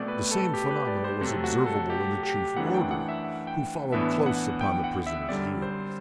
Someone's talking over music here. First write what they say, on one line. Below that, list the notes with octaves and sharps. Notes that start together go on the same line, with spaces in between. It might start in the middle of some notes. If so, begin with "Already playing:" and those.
The same phenomenon was observable in the chief warder, who followed close upon the prisoner's heels.
Already playing: B2 A3 C4 D5
B4
A4
G4
B4
D5
C5
C3 F#3 A3 C4 A4
F#4
A4
G4
G4
F#2 E3 A3 D4 F#5
G5
F#5
E5
F#5
G5
A2 E3 B3 D4 E5
F#5
G5
F#5
E5
F#2 D3 G3 C4 D5
C5